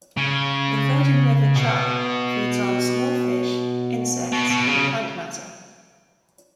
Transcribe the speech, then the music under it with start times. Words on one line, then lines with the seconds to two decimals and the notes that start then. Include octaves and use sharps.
The Virgin River chub feeds on small fish, insects, and plant matter.
0.17 C#3
1.56 B2
4.33 B2
4.50 B2
4.68 C#3